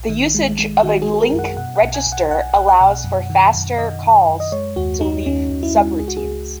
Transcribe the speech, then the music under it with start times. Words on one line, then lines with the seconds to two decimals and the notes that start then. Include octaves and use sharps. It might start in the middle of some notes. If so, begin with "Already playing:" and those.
The usage of a link register allows for faster calls to leaf subroutines.
Already playing: A#1
0.09 D#3
0.35 G#3
0.59 G#3
0.83 D#3 F#4
1.02 G#4
1.08 D#3
1.14 G#4
1.20 A#4
1.33 F#2
1.39 F#5
1.57 B2 F#5
1.76 F#5
1.82 B1
1.94 G#5
2.07 B1
2.12 F#5
2.31 B1 F#5
2.56 B1
2.68 F#5
2.81 B2
3.04 F#2
3.30 D#3
3.54 F#2
3.78 D#3 D#5
4.03 D#3
4.28 F#2
4.40 D#5
4.52 G#3 C#5
4.76 D#2 F#4
5.01 D#2 D#4
5.26 D#2 C#4
5.50 D#2
5.63 E4
5.75 G#3
5.99 C#2 G#4
6.08 F#4
6.17 G#4
6.24 C#2